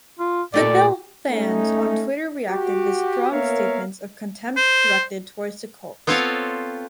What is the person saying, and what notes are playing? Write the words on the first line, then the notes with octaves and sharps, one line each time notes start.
Football fans on Twitter reacted with strong statements of contempt directed toward the Colts.
F4
A#2 A3 G4 A4 D5
A3 C#4 D#4
F#4 G4
A#3 B3 A#4 C#5 E5 F5
C5
B3 C4 F4 A4 C#5 F5